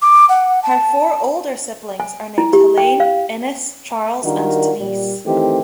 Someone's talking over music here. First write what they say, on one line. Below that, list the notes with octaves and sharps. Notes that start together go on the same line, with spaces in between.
Her four older siblings are named Helene, Ines, Charles and Denise.
D6
F#5
A5
G#5
E4
G4
G5
F5
D#3 G3 D4 F4 F#4 A#4
A#2 G3
D#3 E3 A3 C4 D#4 G4